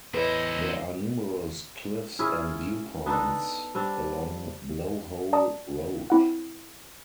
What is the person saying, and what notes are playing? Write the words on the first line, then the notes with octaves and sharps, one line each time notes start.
There are numerous cliffs and viewpoints along Blowhole Road.
E2 A2 F#3 E4 B4 C5 D#5
C#4 E4 F4 G#4
B3 D4 D#4 A4
G3 C4 D4
D5 A5 A#5 D#6
C4 E4 F#5